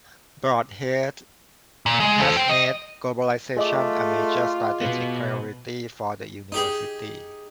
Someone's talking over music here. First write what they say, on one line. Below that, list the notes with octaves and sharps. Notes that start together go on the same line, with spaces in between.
Brodhead has made globalization a major strategic priority for the University.
A#2
G#3
A4 C5
C5 G5
D#5
A3 F4 G#4 D#5 D6
B2 B3
D#4 G4 G#4